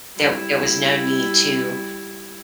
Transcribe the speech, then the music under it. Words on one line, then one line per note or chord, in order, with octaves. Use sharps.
There there was no need to
G3 E4